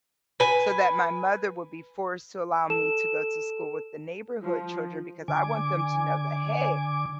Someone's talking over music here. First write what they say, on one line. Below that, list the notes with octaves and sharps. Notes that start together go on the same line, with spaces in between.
so that my mother will be forced to allow me to go to school with the neighborhood children because I want them to know that, "Hey,
B4 G#5
A4 E7
F3
D3 G#5 D6